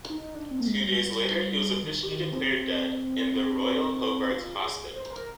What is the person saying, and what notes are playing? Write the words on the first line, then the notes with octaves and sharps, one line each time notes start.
Two days later he was officially declared dead in the Royal Hobart Hospital.
D#4
D4
C4
A#3
G#3
G3
D#3
D#3
C4
C4
F4
G#4
C5
A#4